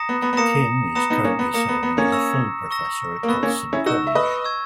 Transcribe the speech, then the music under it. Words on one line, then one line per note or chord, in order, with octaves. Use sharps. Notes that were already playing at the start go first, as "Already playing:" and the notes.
Kim is currently serving as a full professor at Ulsan College.
Already playing: A#5 D#6 A#6 C#7 E7
B3
B3
B3
A#3 A#5 D#6 A#6 C#7 E7
B3 A#5 D#6 A#6 C#7 E7
B3 D#4
A#3 C#4
B3
A#3 A#5 D#6 A#6 C#7 E7
B3
B3
A#3 C#4
C#6 E6 A#6 E7
C#6 E6 A#6 E7
A#3
B3 C#6 E6 A#6 E7
A#3 C#4
C#4 E4
D#4 F#4 C#6 E6 A#6 E7
E5
B4 D#5
C#6 E6 G#6